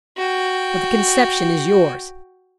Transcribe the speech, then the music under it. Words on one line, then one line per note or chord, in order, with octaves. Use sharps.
But the conception is yours.
F#4 G5